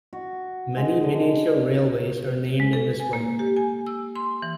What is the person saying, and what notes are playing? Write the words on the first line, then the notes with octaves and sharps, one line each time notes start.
Many miniature railways are named in this way.
F#4
G#3
D3
G#3
A4
G#5
A#3
G4
G#5
E6
C6
E3